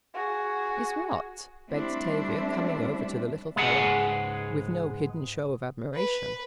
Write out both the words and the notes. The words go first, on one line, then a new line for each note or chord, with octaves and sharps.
"Is what?" begged Tavia, coming over to the little fellow, with no hidden show of admiration.
F#4 G#4
G3 A3 C4 D4 E4
C#2 G#2 G#3 G#4 B4 F#5
B4